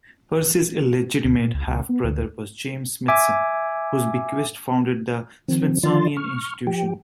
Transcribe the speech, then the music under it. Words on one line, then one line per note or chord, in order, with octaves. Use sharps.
Percy's illegitimate half brother was James Smithson, whose bequest founded the Smithsonian Institution.
D2
A#2
C#2
C#2
B3
D2
E5 G#5 D6
D#3 F3 C4
D#3 F3 F4 D5 C6 A6
C#6 F6
F3 G4 G5